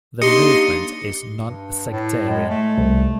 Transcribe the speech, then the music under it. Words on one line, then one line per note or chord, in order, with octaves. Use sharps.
The movement is non-sectarian.
A#3 D4 D#4 G4 D#5 C6 C#7
G2
A2
G#3
A3
C2